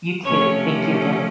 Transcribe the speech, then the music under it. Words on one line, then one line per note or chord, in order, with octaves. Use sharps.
you too. Thank you, again.
C3 F3 A3 C#4 C#5